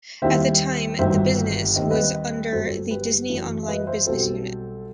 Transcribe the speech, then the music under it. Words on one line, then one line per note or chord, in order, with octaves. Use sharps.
At the time, the business was under the Disney Online business unit.
D#2 D#3 G3 C4 E4 C5 E5
G1 G2 D#3 F#3 C5 E5
D#2 D#3 G3 C4 D#5
E5
B4 D#5
G1 G2 F#3 A4 C5
G4 B4
F#2 E3 A3
E5
B4 D#5
C5 E5
B1 B2 G3 C4 A4 C5